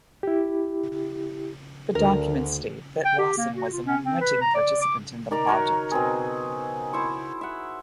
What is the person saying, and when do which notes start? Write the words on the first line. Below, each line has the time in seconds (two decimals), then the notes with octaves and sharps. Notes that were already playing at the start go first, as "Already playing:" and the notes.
The documents state that Wasson was an 'unwitting' participant in the project.
0.23 E4 G4
1.95 D2 A#4
3.05 G5
3.19 G4
3.38 A#3
3.56 F#4
3.72 F4
3.86 C#4
4.03 C4
4.21 B4
4.41 A#5
4.54 D5
4.81 D6
5.31 D#3 D5 A#5 D6
5.47 F#4 A#4 C#5
5.92 B2 C4 G#4
6.93 E4 C5 C#6
7.41 E5 F#5